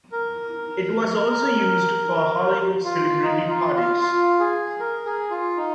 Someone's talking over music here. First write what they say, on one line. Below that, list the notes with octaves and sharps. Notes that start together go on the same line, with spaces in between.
It was also used for Hollywood celebrity parties.
A#4
F4
D#4
F4
F4
F4
G#4
A#4
G#4
F4
D#4